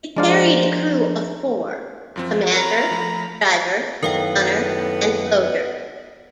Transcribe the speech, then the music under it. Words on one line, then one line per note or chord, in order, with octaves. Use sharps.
It carried a crew of four: commander, driver, gunner and loader.
F3 G#3 D4 A#4 C5 D5 F5
F#2 F3 C4
A4 A#4 C#5 A#5 B5
F3 A3
F#2 A2 D#3 B3 A#4 F5 G5